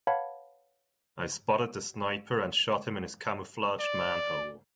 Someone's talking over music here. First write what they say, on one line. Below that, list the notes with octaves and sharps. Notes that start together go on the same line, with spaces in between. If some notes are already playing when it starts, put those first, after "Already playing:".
I spotted the sniper and shot him in his camouflaged manhole.
B4 C#5 F5 F#5 A5 B5
D5